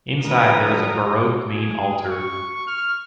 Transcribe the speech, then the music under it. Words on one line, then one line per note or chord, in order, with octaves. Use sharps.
Inside there is a Baroque main altar.
G#2 D3 F3 B4 A#5 D#6
F#3 G3 A3
G#4
C#6
F6